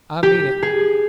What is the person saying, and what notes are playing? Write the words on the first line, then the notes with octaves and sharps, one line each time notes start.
I mean it!
G4
G#4